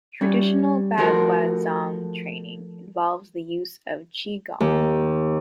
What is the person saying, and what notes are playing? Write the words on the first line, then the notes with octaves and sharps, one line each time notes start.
Traditional Baguazhang training involves the use of qinggong.
G3 C#4
F3 A3 F#4 A4 A#4 C5
D#2